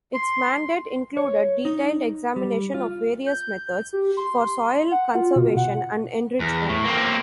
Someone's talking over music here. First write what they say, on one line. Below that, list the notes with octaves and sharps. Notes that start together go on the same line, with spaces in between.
Its mandate included detailed examination of various methods for soil conservation and enrichment.
C6
C#5
D#4
G3
F4
G6
G4
C6
F#5
F4
B2
F#5
E2
A2
A#3 C4